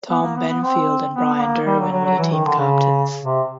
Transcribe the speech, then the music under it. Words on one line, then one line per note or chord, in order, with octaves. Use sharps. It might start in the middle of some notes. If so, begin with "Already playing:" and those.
Tom Benfield and Brian Derwin were the team captains.
B3
A#3
B3
B3
C4
B3
B3
A#3
G3
F#3
F#3
F#3
E3
D#3
D3
C#3
C3